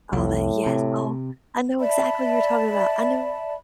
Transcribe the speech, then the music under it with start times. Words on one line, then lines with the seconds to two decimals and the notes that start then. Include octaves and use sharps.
Oh, that yes. Oh, I know exactly who you're talking about. I know
0.13 C2 F2 A2
0.66 C3
1.80 D5 E5 A5 B5